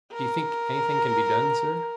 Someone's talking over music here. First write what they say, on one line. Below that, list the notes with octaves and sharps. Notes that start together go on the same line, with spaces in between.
"Do you think any thing can be done, sir?"
A#4